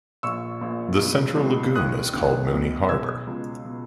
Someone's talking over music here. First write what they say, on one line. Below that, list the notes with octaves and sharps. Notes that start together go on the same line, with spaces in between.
The central lagoon is called Mooney Harbor.
A#1 A#2 C#6 E6
A#1 A#2
C#2 B2
C#2 B2
D#2 D#3 D#6 F#6
D#2 D#3
B1 B2
B1 B2 E6 G#6
C#2 B2
B2